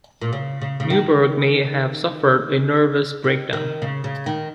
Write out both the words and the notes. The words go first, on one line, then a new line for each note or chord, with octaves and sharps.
Neuburg may have suffered a nervous breakdown.
A#2
C#3
C#3
C#3
D#3
D#3
D#3
C#3
C#3
D#3